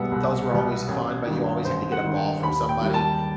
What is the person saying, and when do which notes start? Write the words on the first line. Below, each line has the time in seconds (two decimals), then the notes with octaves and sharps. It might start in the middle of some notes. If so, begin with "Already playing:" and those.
Those were always fun, but you always had to get a ball from somebody,
Already playing: C2 B2 G3 B3 E5 F#5
0.11 C2
0.50 B2 G3 B3
0.88 A1
1.27 G2 D#3
1.65 A1 C5
1.92 F#5
2.05 G2 D#3
2.16 G5
2.43 D#2 B5
2.69 G5
2.81 D#3 G3
2.94 A5